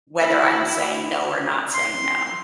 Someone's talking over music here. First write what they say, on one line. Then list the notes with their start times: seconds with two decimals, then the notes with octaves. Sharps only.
whether I'm saying no or not saying no,
0.20 E4
1.74 C6